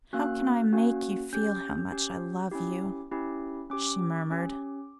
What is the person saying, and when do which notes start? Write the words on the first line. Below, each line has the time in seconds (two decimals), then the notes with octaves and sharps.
'How can I make you feel how much I love you?' she murmured.
0.13 A#3 C#4 F#4 F#6
0.73 A#3 C#4 F#4
1.33 C#4 G4 G6
1.91 C#4 G4
2.52 C#4 E4 G4
3.12 C#4 E4 G4
3.70 C#4 G4 D6
4.30 C#4 G4